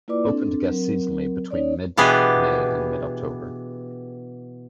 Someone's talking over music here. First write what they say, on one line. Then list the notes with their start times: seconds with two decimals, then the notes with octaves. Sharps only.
Open to guests seasonally between mid May and mid October.
0.08 A#3 E4 F4 B4 D5 D6
0.24 C4 D4 A4
0.66 F#3 C4 A#4
1.50 C#4 D#4 C#5 D5
1.97 B2 E3 B3 D4 G4 G#4